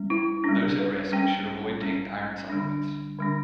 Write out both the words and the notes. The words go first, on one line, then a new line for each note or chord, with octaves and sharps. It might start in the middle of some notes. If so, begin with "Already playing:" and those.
Those at risk should avoid taking iron supplements.
Already playing: G3 C#4
E4
G3 C#4 D4
B4
G3 C#4 G5
G3 C#4
D3 G3 D4
D3 G3 D4